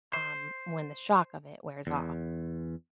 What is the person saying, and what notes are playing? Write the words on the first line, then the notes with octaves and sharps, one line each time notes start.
um, when the shock of it wears off
C5
E2